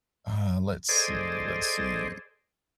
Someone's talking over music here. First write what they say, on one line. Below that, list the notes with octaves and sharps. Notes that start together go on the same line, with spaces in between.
Uh, let's see, let's see.
G#4 A4 C5 D5 D#5